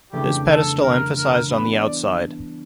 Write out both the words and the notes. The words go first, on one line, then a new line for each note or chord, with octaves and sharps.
This pedestal emphasized on the outside.
F2 C#3 E3 A3 D4 G4
A4
A#4
A#4
E3 G3 B3 D4 B4
D5